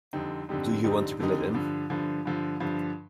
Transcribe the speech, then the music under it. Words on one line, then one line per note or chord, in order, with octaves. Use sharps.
Do you want to be let in?
F2 D3 G3 C4 D#4
F2 D3 G3 C4 D#4
F2 D3 G3 C4 D#4
F2 D3 G3 C4 D#4
G2 D3 F3
G2 D3 F3
G2 D3 F3
G2 D3 F3